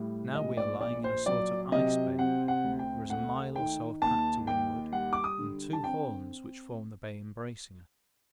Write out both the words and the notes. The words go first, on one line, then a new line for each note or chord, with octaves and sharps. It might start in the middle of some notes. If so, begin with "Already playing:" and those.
Now we are lying in a sort of ice bay--there is a mile or so of pack to windward, and two horns which form the bay embracing us.
Already playing: A2 G3
A#1 D#5
D5
A#1 D5
C5
F#3 D5
C3 D#5
C4 F#5
F#5
D2
G5
A3 F#5
D#3 G5
D#2 A5
D#2 G5
G3 F#5
D6
D#6
D3
A5
C4 G5